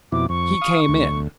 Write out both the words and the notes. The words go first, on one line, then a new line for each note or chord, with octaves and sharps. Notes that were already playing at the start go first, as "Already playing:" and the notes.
He came in.
F2 B2 E4 D6
F2 C#6
F5 D#6
D2